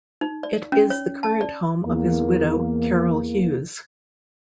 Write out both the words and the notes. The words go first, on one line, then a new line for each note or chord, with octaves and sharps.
It is the current home of his widow Carol Hughes.
D#4
D5
C#4
C#5
A5
D5
E2 A#3